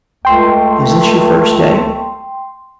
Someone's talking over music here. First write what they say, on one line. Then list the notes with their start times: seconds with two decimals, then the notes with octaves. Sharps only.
Is this your first day?'
0.25 C#2 A3 G5 C6